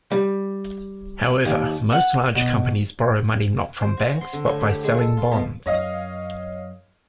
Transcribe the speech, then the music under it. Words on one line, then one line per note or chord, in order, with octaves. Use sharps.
However most large companies borrow money not from banks, but by selling bonds.
G3
D#2
F#5
B2
C5
F#4
C6
D3
A2
G4
G#3
A4
F4
B2
F#2 C#5 D#5 F5